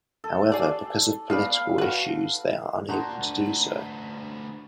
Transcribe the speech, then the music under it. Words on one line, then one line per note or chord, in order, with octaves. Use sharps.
However, because of political issues, they are unable to do so.
A4
G4 G#4 D5
B3 B4 D5 F5 B5
F#4 B4
A#2 A#3 D4 F#4 A#5 C6
D2 B4